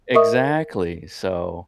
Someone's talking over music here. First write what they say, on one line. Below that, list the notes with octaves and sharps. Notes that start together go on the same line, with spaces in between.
exactly, so,
A#4 D#5 E5 C#6 D#6